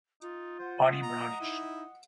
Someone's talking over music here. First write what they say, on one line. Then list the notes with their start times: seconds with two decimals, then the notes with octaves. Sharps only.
Body brownish.
0.22 D#4 F4
0.59 C5 F#5
0.87 D#5
1.03 A#5
1.41 D#4 E4